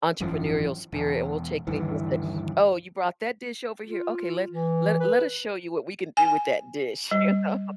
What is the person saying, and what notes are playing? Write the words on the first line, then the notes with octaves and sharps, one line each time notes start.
entrepreneurial spirit and we'll take anything and say, "Oh, you brought that dish over here? Okay, let let let us show you what we can do with that dish." You know?
G#1 F#2 E3 F3
E1
D2 G2 D#3 E3
F4
E3
B4
G#5
G3